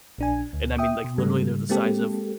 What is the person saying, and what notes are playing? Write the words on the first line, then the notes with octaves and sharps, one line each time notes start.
and I mean, like, literally they're the size of
A#1 D4 G#5
D2
E5 G5 D#6
B2
G#2 C#3 G3 A3
G#3 A#3 C4 G4 A4